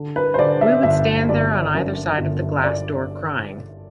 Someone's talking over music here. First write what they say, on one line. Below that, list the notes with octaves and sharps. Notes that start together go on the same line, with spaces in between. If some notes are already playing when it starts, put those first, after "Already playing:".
We would stand there on either side of the glass door crying.
Already playing: D3
B4
C5
D3 D5
E5
G1 E5
G1 D5
F#2
G1
D5